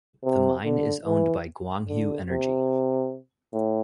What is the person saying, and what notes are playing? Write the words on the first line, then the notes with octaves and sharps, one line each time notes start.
The mine is owned by Guanghui Energy.
C3
D3
E3
D3
C3
A2